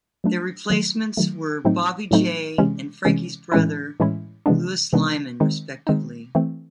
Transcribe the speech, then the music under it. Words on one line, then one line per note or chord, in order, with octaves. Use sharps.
Their replacements were Bobby Jay and Frankie's brother Lewis Lymon, respectively.
F#3 A3 D4
D#3 F#3 A3
D#3 F#3 A3
A2 F#3 A3 C4 D#4
A2 F#3 A3 C4 D#4
C3 E3 G#3 C#4
C3 E3 G#3 C#4
A2 E3 G#3 C#4 E4
A2 E3 G#3 C#4 E4
C3 E3 G#3 B3 D4
C3 E3 G#3 B3 D4
D#3 G#3 C4 D#4
D#3 G#3 C4 D#4
E3 A3 C4